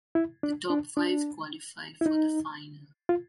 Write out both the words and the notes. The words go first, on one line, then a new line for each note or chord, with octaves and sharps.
The top five qualify for the final.
E4
D4
D4
D4
E4
D#4
F4